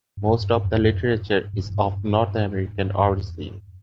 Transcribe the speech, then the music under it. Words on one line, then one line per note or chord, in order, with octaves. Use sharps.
Most of the literature is of North American origin.
G2
G2
G2
F2
G2
G2
A2
G2
G2
F2